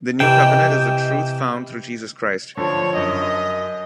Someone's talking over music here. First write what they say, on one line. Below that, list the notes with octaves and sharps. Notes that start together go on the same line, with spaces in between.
The New Covenant is the truth found through Jesus Christ.
C3 E3 D#5 G5
D3 F3 C#5
F#2 D#5